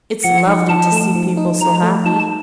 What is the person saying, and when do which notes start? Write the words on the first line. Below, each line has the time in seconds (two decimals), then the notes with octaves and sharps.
It's lovely to see people so happy.
0.24 F3 F#5
0.47 D#4
0.69 F3 A5
0.92 A3
1.15 F3
1.37 D#4
1.61 F3 A#5
1.83 A3
2.06 D#4 A5